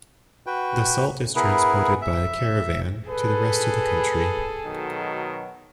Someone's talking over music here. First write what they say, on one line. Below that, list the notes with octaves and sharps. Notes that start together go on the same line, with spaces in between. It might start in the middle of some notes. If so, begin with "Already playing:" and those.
The salt is transported by caravan to the rest of the country.
F#4 B4 G5
B3 E4 G#4 A#4 B4
E5
G#4 A4 B4
B2 D#3 F#3